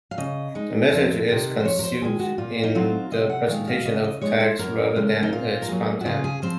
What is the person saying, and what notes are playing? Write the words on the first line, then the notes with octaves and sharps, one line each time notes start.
A message is concealed in the presentation of text, rather than its content.
F5
C#3 D#5
G#3 D#4
F2
C3 D#3
C5
F2 C#5
A#4
C5
D#3 G#3 G#4
F#4
A#2 F4
D#4
F#3 C4 D#4 F4
C3 D#5
F#5
D#3 G#3 F5
F5
C#3 D#5
D#5
G#3 D#4 C#5
C5
F#2 A#4
C#3 G#3
D#4
A#2 F4
A#4
F#3 A#3 G#4
F#4
C#3 F4
G#4
F3 C4 C5